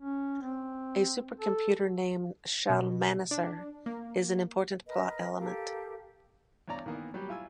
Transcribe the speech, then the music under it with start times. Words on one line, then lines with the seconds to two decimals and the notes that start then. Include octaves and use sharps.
A supercomputer named Shalmaneser is an important plot element.
0.01 C#4
0.42 C4
1.40 A4
2.70 B2
3.31 D4
3.86 A#3
4.86 A#4 B4 D#5
5.38 G4 A4 A#4 F5
6.68 E2 G2 C#5 D5 A#5
6.86 D#3 E3 A#3 B3
7.14 F#3 G3 G4
7.29 E4 F4 G#5 E6